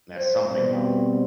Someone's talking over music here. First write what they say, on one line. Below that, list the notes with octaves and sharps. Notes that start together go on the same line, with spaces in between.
mess something up
C5
B2 G3 C4